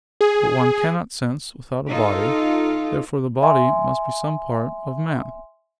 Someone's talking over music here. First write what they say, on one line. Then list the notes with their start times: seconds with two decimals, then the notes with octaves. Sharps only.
But one cannot sense without a body: therefore the body must be some part of man.
0.21 G#4
1.89 D#4 F4 A4
3.42 E5 G#5 C6